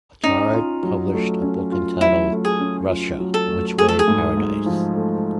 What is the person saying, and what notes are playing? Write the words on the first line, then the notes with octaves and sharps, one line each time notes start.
Attard published a book entitled Russia: Which Way Paradise?
C#4 D#4
F4
F#3
A3
C#4
F4
F#3 E4
A3
G#4
C#4
F4
F#3
A4
A3
A3 G#4
A4
G#4
G#2
G#2
F3
A3